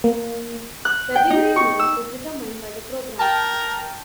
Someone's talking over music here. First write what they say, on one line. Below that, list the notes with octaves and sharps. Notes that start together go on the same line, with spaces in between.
The degree name is determined by the program.
A#3
F#6
G5
D#4
C#6
E6
A#4 G5 A5